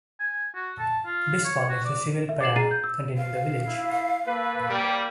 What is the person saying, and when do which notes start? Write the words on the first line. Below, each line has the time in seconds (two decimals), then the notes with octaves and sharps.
Bispham is the civil parish containing the village.
0.20 G#5
0.55 F#4
0.79 A5
1.05 F4
1.44 C#5
1.69 F#4
1.85 D5
2.29 E5
2.41 D6 A6 C7 E7 F#7
2.56 G#4 A#5 A6 C7 D#7
2.71 G6
2.84 E6
3.17 F5
3.67 E4
4.27 A#3 A4 B4
4.69 G3 A#3